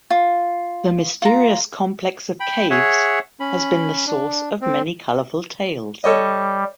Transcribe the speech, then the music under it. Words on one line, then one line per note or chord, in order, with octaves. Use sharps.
The mysterious complex of caves has been the source of many colorful tales.
F4
F4 A#5
G5 B5
G#4 C#5 E5 F#5
C#4 B5
D4
C4
G3 A4 C#5 D#5